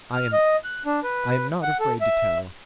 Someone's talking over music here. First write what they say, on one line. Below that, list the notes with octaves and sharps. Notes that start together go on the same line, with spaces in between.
I am--I am not afraid to tell.
F6
D#5
F#6
D4
B4
F#5
A4
E5